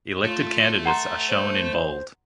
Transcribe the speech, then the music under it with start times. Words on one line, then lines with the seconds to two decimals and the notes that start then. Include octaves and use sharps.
Elected candidates are shown in bold.
0.24 A3 F4
0.85 F#5 A#5 C6
1.29 C5